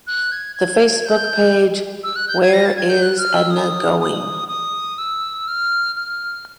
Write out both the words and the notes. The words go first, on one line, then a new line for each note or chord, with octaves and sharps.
The Facebook page, Where is Edna Going?
F#6
G#6
G#6
G6
E6
F#6
G6
G#6
A#6
A6
G#6
G6
F#6
F6
E6
D#6
D#6
D#6
E6
F6
F6